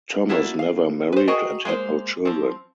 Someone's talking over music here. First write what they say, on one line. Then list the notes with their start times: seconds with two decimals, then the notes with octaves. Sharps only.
Thomas never married and had no children.
0.29 A#3 D4 E4 F#4
0.59 F5
1.13 B4 C5
1.28 F#4 G#4 A#4 D#5 G5
1.65 G#3 A#3 C5
2.25 F3 C4